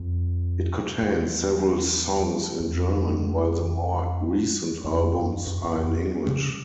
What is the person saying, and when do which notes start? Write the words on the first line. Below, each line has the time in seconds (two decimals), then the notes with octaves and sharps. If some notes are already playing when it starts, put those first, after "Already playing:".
It contains several songs in German, while the more recent albums are in English.
Already playing: F2
1.03 E2
2.60 E2
2.69 F2
4.85 E2
4.91 F2
5.19 F#2
5.47 F#2
5.65 E2
5.84 F2
6.30 C#3